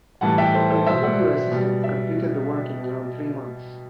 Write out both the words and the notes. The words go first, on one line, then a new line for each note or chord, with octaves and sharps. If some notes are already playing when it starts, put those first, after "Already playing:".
His studio assistants completed the work in around three months.
A2 E3 G3 F#5 A5
E5 G5
A4 C5
A4 C5
B2 F#3 C5 E5
D5 F#5
B2 G3
E5